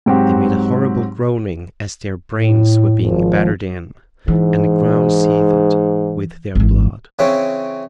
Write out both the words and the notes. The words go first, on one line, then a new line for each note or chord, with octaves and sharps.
They made a horrible groaning as their brains were being battered in, and the ground seethed with their blood.
G#2 F#3 C4 F#4 G4
A2
G#1 F3
G#2 E3
G#1 E3
C#3 E3 C4 C#4